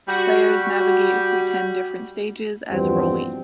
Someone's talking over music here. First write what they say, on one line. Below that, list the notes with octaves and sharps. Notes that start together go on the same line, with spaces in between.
Players navigate through ten different stages as Rollie.
G3 F#4
E2 G2 B2 F3 G3 C4